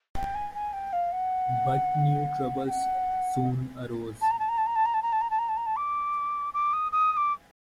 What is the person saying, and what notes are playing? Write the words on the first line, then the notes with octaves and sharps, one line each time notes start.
But new troubles soon arose.
G5
G#5
G#5
G5
F5
F#5
G5
F#5
A5
A#5
A5
A#5
A5
A#5
A5
A#5
A5
A#5
A5
A#5
A5
A#5
A5
A#5
A5
D6
D6
D#6
D#6
D#6
D6